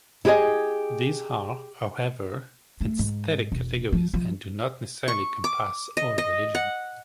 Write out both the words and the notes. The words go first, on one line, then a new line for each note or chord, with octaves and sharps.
These are, however, synthetic categories and do not necessarily encompass all religions.
E4 G4 G#4 B4 D#5 G#5
A3
G#2
E1
F3
F3
C#6
D6
D#5
D#5
F#5